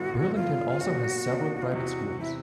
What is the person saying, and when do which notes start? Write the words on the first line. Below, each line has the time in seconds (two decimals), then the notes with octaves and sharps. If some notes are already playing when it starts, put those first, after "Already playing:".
Burlington also has several private schools.
Already playing: G2 D3 G3 B3 E4 F#4
0.34 G2 D3 G3 B3 E4 F4
0.80 B2 F#3 A#3 D4 F#4 G4
1.27 B2 F#3 A#3 D4 G4
1.62 F4
1.73 E2 C3 E3 F#4
2.19 C3 E3 E4